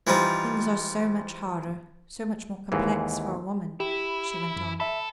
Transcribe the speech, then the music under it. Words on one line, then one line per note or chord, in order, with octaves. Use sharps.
"Things are so much harder, so much more complex for a woman," she went on.
E3 F3 G3 D#4
D#2 G#2 E3
E4 G4
F#2
A4 E5 B5